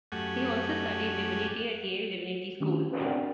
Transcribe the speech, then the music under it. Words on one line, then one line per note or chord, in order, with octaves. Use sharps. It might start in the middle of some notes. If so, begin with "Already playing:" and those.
He also studied divinity at Yale Divinity School.
F#2 A3 G4 F#5 G#5
D#3 A3 C#4 D4 G4
C#4 F#4 B4
C4 D4 A#4 D5 F#5 G5